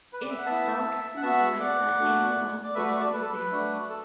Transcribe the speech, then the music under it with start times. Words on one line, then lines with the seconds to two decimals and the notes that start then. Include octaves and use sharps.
It's doubtful whether anyone could see them.
0.13 B4
0.21 D5
0.30 E5
0.38 F#5
0.46 B3 E4 E5 A5
1.17 F#5
1.22 B3 F#4 E5 A5
1.60 D5 F#5
1.99 A3 D4 F#4
2.64 D5
2.75 A3 F#4 B4 E5
2.87 A4 D5
3.00 A4 D5
3.13 B4
3.21 A4
3.31 B4
3.51 A3 D4 F#4
3.90 A4